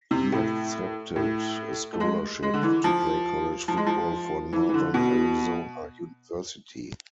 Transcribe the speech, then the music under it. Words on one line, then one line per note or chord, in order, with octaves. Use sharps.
He accepted a scholarship to play college football for Northern Arizona University.
C3
A2
A2
A3
G#3
G#3
D3
E3
F3
F3
G#3
F3
E3
E3
D3
B2